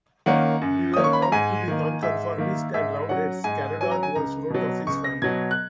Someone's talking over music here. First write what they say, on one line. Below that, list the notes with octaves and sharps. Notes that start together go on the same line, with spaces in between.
"We were proud to be nonconformists and Roundheads", Caradon once wrote of his family.
D#3 A#3 C#4 F#5
F#2
D#3 A#3 C#4 D#6
C#6
B5
A#5
G#2 G#5
D#3 A#3
G#2 E5
D#3 A#3
G#2 E5
F#3 C#4 F#5
G#2 G#5
F#3 C#4 G#5
A#5
G#5
C#2 A#5
B2 F#3
C#2 C#6
A#6
B2 F#3 G#6
F#6